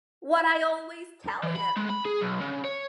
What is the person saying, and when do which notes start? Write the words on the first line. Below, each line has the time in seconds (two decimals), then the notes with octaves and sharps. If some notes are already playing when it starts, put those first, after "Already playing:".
What I always tell him!
1.43 E3
1.56 B5
1.76 G#3
1.90 B5
2.05 G#4
2.21 B1
2.41 C#3
2.65 C#5